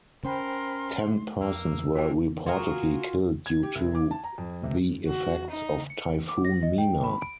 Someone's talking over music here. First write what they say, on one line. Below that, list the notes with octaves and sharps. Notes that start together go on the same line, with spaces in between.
Ten persons were reportedly killed due to the effects of Typhoon Mina.
C#4 A#4 C5 G5 B5 C6
F2 A#3 E6
A#3 D4 F#4 G5
F4 F#4 G#4 A#4
G#6
G4
C2
D6
A5
A#5
F2
C3
F#4
D#4
C#7
D6
A#6
D#5
G5
B5
D7